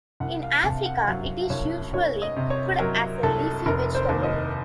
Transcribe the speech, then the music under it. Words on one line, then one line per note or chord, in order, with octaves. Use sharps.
In Africa, it is usually cooked as a leafy vegetable.
C2 F#5
F5
C3 A5
F#5
F#5
F#3 F5
C2 C#5
C2 C#5
D#5
C3
C#5
F#3 A#4
C2 A4
F1 A#4
C5
D#2
D#5